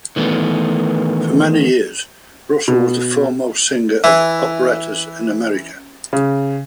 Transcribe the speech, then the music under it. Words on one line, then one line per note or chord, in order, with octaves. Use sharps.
For many years, Russell was the foremost singer of operettas in America.
D#3 E3 A3 B3
B2
E3 E4
C#3